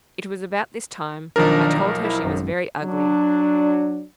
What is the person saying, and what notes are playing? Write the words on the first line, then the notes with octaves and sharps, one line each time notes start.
It was about this time I told her she was very ugly.
B1 D#3 F3 D4 A#4
E4
G#1 F#2
F#3 D4